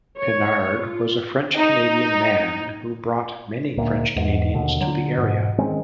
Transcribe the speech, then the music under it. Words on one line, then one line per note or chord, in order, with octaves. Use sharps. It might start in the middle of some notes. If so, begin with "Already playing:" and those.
Pinard was a French Canadian man who brought many French Canadians to the area.
C#5
F4
D#4
D2 A#2
E2 G#2
D#2 B2 D3
D3 F#3
G#2 B2
D#3 G#3 C4 C#4